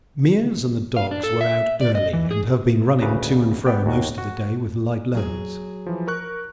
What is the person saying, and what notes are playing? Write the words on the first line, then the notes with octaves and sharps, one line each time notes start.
Meares and the dogs were out early, and have been running to and fro most of the day with light loads.
F5
D4
A4
E5
D5
D#5
E3
G#4
D2 C#3 B4 D5 A#5
B3 G4 D5 G5
D#2 F#4
F#4
F#3 G#4
E3 F3
A#4 C#6 F#6